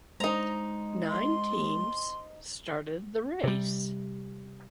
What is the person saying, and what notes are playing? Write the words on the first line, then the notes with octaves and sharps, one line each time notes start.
Nine teams started the race.
G#3 D#4 C5 D#5 A#5
C6
C3 G3